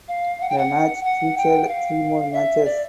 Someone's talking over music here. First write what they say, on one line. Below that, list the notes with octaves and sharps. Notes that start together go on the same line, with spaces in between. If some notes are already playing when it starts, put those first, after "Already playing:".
The match featured three more matches.
F5
F#5
G5
F#5
F#5
G5
F5
E5
D5